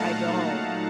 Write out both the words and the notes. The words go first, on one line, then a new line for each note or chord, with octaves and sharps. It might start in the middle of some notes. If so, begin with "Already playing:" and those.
I don't.
Already playing: A#2 F#3 A3 D#4 F5 F#5 A5 A#5